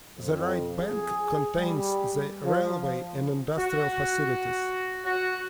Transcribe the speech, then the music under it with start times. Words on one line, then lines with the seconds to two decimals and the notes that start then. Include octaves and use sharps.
The right bank contains the railway and industrial facilities.
0.15 F2
0.78 G#4
1.56 G3
2.43 F3
3.58 F#4
5.05 F#4